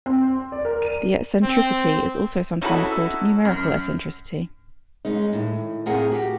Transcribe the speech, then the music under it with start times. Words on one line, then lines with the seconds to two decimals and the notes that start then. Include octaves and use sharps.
The eccentricity is also sometimes called numerical eccentricity.
0.06 C4
0.52 D5
0.65 A#4
0.82 D#7
1.43 C4
2.62 C#4 D#4 E4 F#4 A4 B5
3.45 F#2
5.05 G#3 C#4 D#4
5.33 A2 D#3
5.86 A2 C4 F4 G#4 A#4 F#5
6.12 F#4 G4